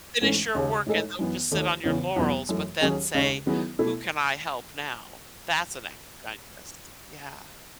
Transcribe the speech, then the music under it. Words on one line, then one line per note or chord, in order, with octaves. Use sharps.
Finish your work and don't just sit on your laurels, but then say, "Who can I help now?" That's an act of kindness. Yeah.
G#2 E3 A3 C#4
D#2 C#3 G#3
A2 G#3 D#4 A4
F#2 E3 B3
D#2 D#3 A3
E2 C#3 E3 B3
E2 B2 F#3 B3
F#2 E3 A3
D#2 D#3 F#3 C#4 G#4
D#2 C#3 G#3 C#4
D#3 F#3 B3 E4 G#4
B2 A3 E4 A4